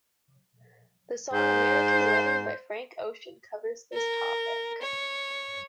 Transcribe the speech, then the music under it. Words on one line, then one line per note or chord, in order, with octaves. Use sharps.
The song American Wedding by Frank Ocean covers this topic.
G#2 C5
A#4
C#5